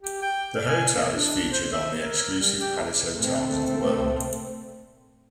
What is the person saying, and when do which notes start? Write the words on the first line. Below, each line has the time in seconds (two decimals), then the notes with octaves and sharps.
The Hotel is featured on the exclusive Palace Hotels of the World.
0.01 G4
0.22 G5
0.57 D5
0.69 G#5
0.94 A#3
1.11 D4
1.52 C5
1.73 E5
2.00 A#4
2.39 G3
2.59 G4
3.16 A#2 A3 C4